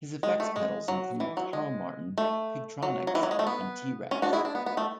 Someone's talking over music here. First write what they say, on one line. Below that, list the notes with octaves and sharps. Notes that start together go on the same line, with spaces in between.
His effects pedals include Carl Martin, Pigtronix and T-Rex.
G#3
A3
G#3
F#3
E3
F#3
G#3
A3
F#3
F#3
E3
F#3
G#3
A3
B3
C#4
D4 F#4
E4 G#4
D4
B3
B3
A3